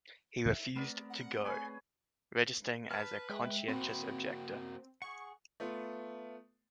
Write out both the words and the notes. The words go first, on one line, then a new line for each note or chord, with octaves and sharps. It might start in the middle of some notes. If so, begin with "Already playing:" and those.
He refused to go, registering as a conscientious objector.
E5
A3 B3 C4 A#4 D5
F#5
G#4 B4 C#5 G#5
B4 A5 F6
G#3 E5 G5
A#3 C4 F#4 G5 B5 C6
G#4 F#5 C#6
A3 B3 F4